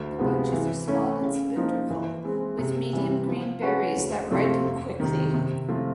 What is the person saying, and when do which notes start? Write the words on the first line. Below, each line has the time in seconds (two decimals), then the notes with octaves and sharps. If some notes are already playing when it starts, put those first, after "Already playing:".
The bunches are small and cylindrical, with medium green berries that ripen quickly.
Already playing: D2
0.18 C3 F3 G#3 B3
0.53 E3
0.87 A3 C#4 E4
1.21 C#3
1.56 F3 A#3 D#4
1.90 E3
2.24 G#3 C4
2.59 C3
2.93 E3 G3
3.28 F3
3.62 G#3 C#4 F#4 B4
3.97 D2
4.31 C3 F3 A3 C4
4.65 F2
5.00 C3 D#3
5.34 C3
5.68 F3 A3 C4 F4